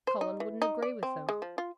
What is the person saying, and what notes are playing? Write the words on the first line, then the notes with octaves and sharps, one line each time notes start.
'Colin wouldn't agree with them.
C5
D#4
E3
D#4
D5
C4
G#3
F3
F4